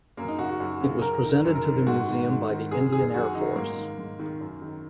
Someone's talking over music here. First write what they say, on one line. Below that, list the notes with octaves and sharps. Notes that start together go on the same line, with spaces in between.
It was presented to the museum by the Indian Air Force.
F#2 A#3
D#4
C#3 F#4
F#4
F#2
C#3
F#2 A#4
D#3
A#4
F#2
A#4
D#3
G#2 F#4
D#3
G#2
D#3
F#2 G#4
D#3 G#4
F#2 F#4
D#3 D#4
G#2 A#3
D#3
G#2
D#3
F#2
D#3